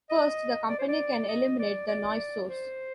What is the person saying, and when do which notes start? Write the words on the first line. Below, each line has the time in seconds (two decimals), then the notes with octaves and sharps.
First, the company can eliminate the noise source.
0.10 D#5
0.69 D5
0.79 C5
0.88 D5
1.29 D#5
1.59 D5
1.88 D5
2.48 C5